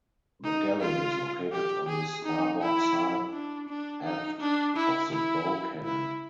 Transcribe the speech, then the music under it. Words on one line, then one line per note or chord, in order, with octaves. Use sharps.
The galley is located on the starboard side aft of the bow cabin.
D#4
F4
G4
G#4
D#4
E4
D4
D4
D#4
D4
E4
E4
E4